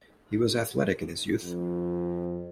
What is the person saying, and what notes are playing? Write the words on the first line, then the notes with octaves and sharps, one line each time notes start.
He was athletic in his youth.
F2